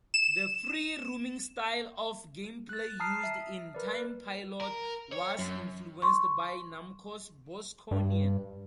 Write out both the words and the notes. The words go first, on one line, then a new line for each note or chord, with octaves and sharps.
The free-roaming style of gameplay used in "Time Pilot" was influenced by Namco's "Bosconian".
E7
F#6 A6
A5 A#5 D#6 F6 C7
E5
A#4 B4 D5
A#4
C#5
F#2
C6 C#6
G2